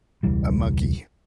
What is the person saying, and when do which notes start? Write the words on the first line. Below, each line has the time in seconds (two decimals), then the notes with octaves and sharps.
a monkey,
0.23 E1 C#2 E3 G3